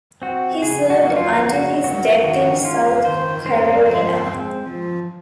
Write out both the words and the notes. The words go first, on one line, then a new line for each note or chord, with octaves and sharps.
He served until his death in South Carolina.
C4 F#4
C#3 G#4
F#4
F#3 A#3
F4
F4
C#3 F#4
F#3 A#3 F#4
D#3 F#4
G#3 C#4 F4
D#3 C5
G#3 C#4 C5
F3 C5
G#3 C4
F3